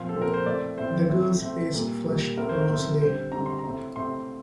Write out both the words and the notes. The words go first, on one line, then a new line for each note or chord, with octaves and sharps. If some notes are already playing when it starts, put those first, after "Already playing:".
The girl's face flushed rosily.
Already playing: A#2 F3 C4 F5
A4
A#2 F3 C4
A#4
C5
A2 A3 C4 D5
A2 A3 C4 C5
A2 A3 C4
A2 A3 C4
A#2 G3 A#3
A#2 G3 A#3
A2 A3 C4 A#4
C5
A#4
A2 A3 C4
D3 G3 C4 C5
D3 G3 C4 A#5
C6
A#5
A2 A3 C4
A2 A3 C4 C6